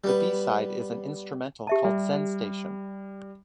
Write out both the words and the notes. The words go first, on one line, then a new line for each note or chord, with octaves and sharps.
The B-side is an instrumental called "Zenstation".
G3 B3 B4
G4 E5 A5
G3